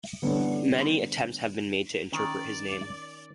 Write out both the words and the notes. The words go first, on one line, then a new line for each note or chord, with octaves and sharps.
Many attempts have been made to interpret this name.
D3 G3 A3 B3 C#4 D4
D#3 C#4 D5